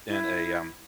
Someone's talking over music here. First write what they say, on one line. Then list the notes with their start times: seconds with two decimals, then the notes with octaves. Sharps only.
in a, um,
0.09 E4